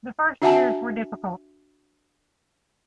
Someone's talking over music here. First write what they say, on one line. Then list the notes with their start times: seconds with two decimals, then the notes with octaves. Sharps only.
The first years were difficult.
0.42 D4 F#4 E5 F#5 G#5 A5